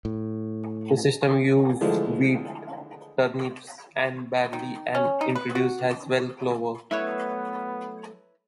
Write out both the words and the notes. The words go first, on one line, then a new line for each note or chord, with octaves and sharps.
The system used wheat, turnips and barley and introduced as well clover.
A2
D3 E3 F3 G#3 A3 D4
D#3
C#4
D#4
B4
F#4
F#3 A3 B3 E4 B4 C#5 E5